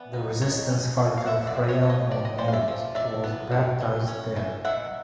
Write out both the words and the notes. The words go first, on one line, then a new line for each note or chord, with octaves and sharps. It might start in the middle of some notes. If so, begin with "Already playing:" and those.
The Resistance fighter Freya von Moltke was baptised there.
Already playing: E3 B3 D5
D#4
F#3 C#5 D#5
C#4
F#3
F5
F3 E5 F#5
D5 E5
C4
E5
C#5 D#5
F3
C#5 D#5
F3 D5
D#5
C#4 C5 D5
F5
D5 E5
F3
D#3 D5 E5
B3
D#3
E3
C#4
E3
D#3 E5 F#5